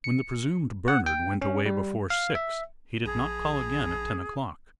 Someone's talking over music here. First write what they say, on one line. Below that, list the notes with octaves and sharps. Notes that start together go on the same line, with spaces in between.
When the presumed Bernard went away before six, he did not call again at ten o'clock.
C#7
F#5
G5
C#4
G3
F5
E5
A#1 G#4